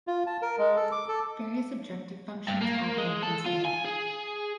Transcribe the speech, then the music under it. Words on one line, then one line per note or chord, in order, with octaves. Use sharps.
Various objective functions have been considered.
F4
A5
A#4
G#3
A4
D6
A4
G2
A#3
G#3
A4
F4
G#5
G#4